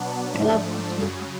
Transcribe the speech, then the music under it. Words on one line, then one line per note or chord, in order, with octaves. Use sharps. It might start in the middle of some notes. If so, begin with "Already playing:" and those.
I love watching.
Already playing: B2 F#3 B3 D4
G#2 F3 A3 D4
F#2 C#3 F#3